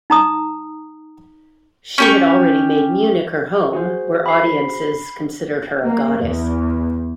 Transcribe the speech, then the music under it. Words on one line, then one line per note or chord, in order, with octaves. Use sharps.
She had already made Munich her home, where audiences considered her a goddess.
D#4 A#5 D#6
C#4 G4 C#6
F#4 G#4 C5
B5 C7
A#3
E2